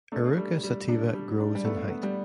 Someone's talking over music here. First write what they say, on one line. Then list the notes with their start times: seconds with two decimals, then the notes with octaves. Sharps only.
"Eruca sativa" grows in height.
0.12 A3 D4
0.37 G3
0.63 G3
0.89 D4
1.14 G3
1.40 D4
1.55 G3
1.65 A3 B3
1.90 B3
2.03 G3